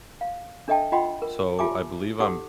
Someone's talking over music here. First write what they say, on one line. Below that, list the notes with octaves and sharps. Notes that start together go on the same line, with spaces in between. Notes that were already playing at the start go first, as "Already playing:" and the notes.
So I believe I'm
F5
D4 A4 D#5 E5 G5 A5
F4 D#5 F#5 G5 B5 C6
A#4
F4 G4 E5 G#5 A5 D6
D#4 G4 A4 F#5 D6 D#6